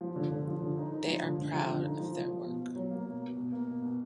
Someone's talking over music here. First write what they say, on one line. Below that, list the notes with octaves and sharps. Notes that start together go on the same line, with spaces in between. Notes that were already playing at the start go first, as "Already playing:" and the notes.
They are proud of their work.
F3
D3
D3
F3
D3
D#4
D#4
F3
D3
D3
F3
D3
D#4
F3
F3
F3
B2
B2
F#3
A#3
B2
B2
B2
A#3
B2
B2